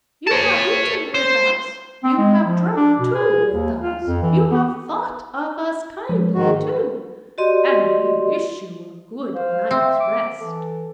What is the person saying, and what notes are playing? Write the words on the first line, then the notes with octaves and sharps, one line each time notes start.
"You have eaten with us, You have drunk, too, with us, You have thought of us kindly, too; And we wish you a good night's rest."
C#5 A5
C5
C4
G#3
F3
D4
B2
G#4
D#2
F4
F2
E3
B3
F3 G#3 C#5
G#2 D#3 F#4
F#4 G4 D5 D#5 C6
C5 F5
C4 E5
D6
E3 A4